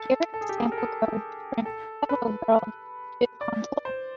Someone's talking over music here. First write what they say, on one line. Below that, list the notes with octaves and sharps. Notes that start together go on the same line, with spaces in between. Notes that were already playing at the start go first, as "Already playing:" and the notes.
Here is sample code to print "hello, world" to the console.
Already playing: A4
A4
G#4
G4
G#4
A#4
A4
A4
B4
D5
C5